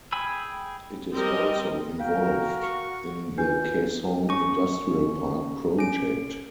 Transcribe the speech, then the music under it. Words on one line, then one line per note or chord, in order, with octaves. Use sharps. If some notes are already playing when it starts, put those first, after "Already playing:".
It is also involved in the Kaesong Industrial Park project.
G#4 G5 G#5 B5 E6
G3 C4 G4 A#4 D#5
F#4 A#4 F5 G5
C#6
D4 F4 B4 G#5 G6 C7
C#4 C#6
C#4 D7